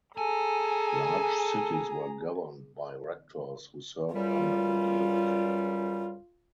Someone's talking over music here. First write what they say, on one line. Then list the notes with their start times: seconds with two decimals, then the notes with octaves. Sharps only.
Large cities were governed by Rectors who served under the Duke.
0.18 G#4 A4 G#5 A#5
4.14 C#2 F#2 G3 F4